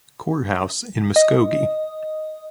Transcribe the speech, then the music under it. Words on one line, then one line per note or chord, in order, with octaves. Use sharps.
Courthouse in Muskogee.
D#5